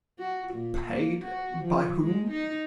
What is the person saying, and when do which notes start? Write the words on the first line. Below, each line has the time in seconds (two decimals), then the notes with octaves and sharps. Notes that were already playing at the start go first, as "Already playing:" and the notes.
"Paid, by whom?"
0.19 F#4
0.54 A#2
0.88 A#3
1.23 F#4
1.64 F3
2.01 G#3
2.30 D#4